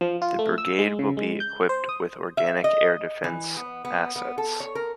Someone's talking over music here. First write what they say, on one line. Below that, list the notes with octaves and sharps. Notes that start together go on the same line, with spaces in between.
The brigade will be equipped with organic air defence assets.
F3
F4
A3
E6
G#3
C#3
G#3
G6
C5
D#6
E5
D#5
E3
B3
B3
B3
A4
C#5
A#4